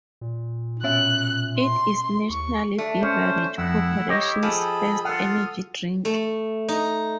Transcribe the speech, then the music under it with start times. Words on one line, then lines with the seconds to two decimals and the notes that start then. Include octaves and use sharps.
It is National Beverage Corporation's first energy drink.
0.21 A#2
0.83 B2 C#4 E5 F#6
1.58 C6
2.30 D#2 C#6
2.78 A3 D4
3.02 C#4 C5
3.58 F2 E4 F#5 E6
4.09 G4 C#5 D#5
4.43 F3 G#4 A4 B5
5.05 F4 A4 F#5 D#6 F6
6.05 A3
6.68 D#4